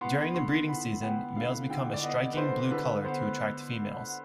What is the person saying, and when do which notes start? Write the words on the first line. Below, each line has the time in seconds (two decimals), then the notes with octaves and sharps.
During the breeding season, males become a striking blue colour to attract females.
0.01 B3 C6
0.34 D3 C6
0.68 B3 B5
1.02 B3 G5
1.36 D3 F5
1.70 D3 G5
1.94 D5
2.03 B3 D#5
2.33 B4
2.37 D3 C5
2.71 D3 B4
3.04 B3 C5